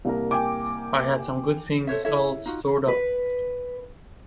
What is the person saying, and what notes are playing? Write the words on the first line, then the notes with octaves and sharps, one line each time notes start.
I had some good things all stored up.
C2 A#3 A#4
G5 G#5 D6
A4 C5 C#5 E5
E4 A4 C#5 E5
D#4 F4 F#4
B4